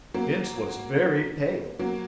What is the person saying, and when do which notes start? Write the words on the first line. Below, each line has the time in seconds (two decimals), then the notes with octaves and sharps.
Bince was very pale.
0.14 F#3 A#3
1.79 F#3 A#3